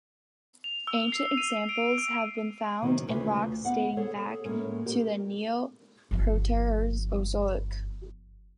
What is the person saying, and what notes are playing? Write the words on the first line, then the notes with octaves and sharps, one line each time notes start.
Ancient examples have been found in rocks dating back to the Neoproterozoic.
F7
E6
C7
D#7
D7
E6
C3 D#3 F#3 A#3 C#4 D#4
D2 C#3 F4 B4
B3 F5 F#5
G#4 A4 C#5
A2 G#3 A#3 C#4
G4 A#4
G1 F3